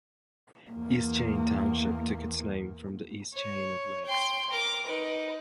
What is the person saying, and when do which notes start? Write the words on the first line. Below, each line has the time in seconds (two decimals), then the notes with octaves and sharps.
East Chain Township took its name from the East Chain of lakes.
0.71 E2 A#3
3.33 C#5
4.05 G5 C6
4.50 A#4 D6
4.86 D#4 B4